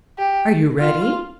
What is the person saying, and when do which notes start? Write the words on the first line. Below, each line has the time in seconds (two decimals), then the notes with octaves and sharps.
"Are you ready?"
0.18 G4
0.79 F4